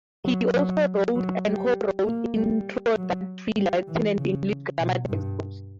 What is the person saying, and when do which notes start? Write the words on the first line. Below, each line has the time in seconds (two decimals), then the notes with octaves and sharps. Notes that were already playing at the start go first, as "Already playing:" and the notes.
He also wrote and co-wrote introductory Latin and English grammar text books.
0.25 F#3
0.55 F#3
1.15 F#3
1.46 G3
2.06 A#3
2.36 G3
2.97 F#3
3.57 G3
3.88 E3
4.18 C#3
4.78 B2
5.08 G2